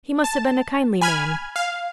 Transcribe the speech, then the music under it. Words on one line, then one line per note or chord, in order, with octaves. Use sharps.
"He must have been a kindly man!"
A5
G#5 B5 F6 G#6
F5